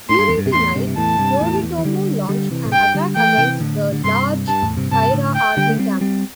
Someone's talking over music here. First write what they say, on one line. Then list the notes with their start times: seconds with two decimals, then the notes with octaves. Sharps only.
During the night, Yoritomo launched an attack against the large Taira army camp.
0.09 A2 C6
0.19 G2
0.28 E2
0.38 G2
0.46 C3
0.53 E2 A2 C6
0.75 G2 C3
0.87 C3
0.97 E2 A2 A5
1.19 G2 C3
1.40 E2 A2
1.62 E2
1.78 E3
1.84 D3 G3
2.28 D3 G3
2.50 C3 E3
2.65 A2
2.72 G2 G5
2.94 D3 G3
3.16 E3 A3 G5
3.38 C3 E3
3.60 A2 D3
3.92 D3
4.04 G2 C3 C6
4.48 G2 A5
4.62 E2 A2
4.77 G2 C3
4.91 G2 C3 A5
5.13 A2 D3
5.35 G5
5.57 D3 G3
5.69 A3
5.79 G3 C4
6.01 G3 C4